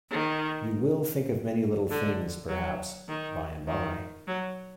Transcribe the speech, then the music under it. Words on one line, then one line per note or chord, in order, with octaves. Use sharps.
You will think of many little things perhaps, by and by.
D#3
D3
F#3
D#3
D#3
F#3